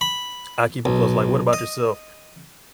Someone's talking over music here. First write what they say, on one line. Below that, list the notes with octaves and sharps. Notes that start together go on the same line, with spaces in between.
I keep 'em close, like What about yourself?
B5
B1
D#5